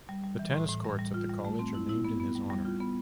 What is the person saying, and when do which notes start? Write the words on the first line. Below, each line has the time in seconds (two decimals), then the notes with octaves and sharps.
The tennis courts at the college are named in his honor.
0.09 G3
0.24 G3
0.39 E3
0.54 A2
0.69 A2
0.84 G3
0.99 G3
1.14 F4
1.29 G3
1.45 A3
1.59 C4
1.75 E4
1.89 E4
2.05 B3
2.20 B3
2.35 G3
2.50 G3
2.65 F4
2.80 B3